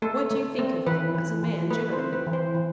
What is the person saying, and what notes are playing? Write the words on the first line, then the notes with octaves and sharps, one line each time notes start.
What do you think of him as a man generally?
A3 A4
A3
C4
E3 B4
E3
E3
A3 B4
C5
C4
B4
E3
C5
E3